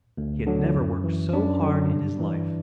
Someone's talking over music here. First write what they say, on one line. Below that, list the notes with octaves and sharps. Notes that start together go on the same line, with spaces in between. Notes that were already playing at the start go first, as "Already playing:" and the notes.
He had never worked so hard in his life.
D2
D3 F#3
F#2
E3
F#2 D4
D3 F#3
G2
E3